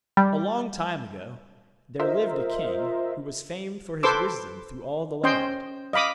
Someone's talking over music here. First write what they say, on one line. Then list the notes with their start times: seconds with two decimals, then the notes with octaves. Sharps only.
A long time ago there lived a king who was famed for his wisdom through all the land.
0.17 G3
1.99 F4 A#4 C5 D#5 E5
4.03 A4 B4 C5 C6 D6 E6
5.24 C#4 C5 D#5 G5 C6
5.93 D#5 F5 B5 D6 D#6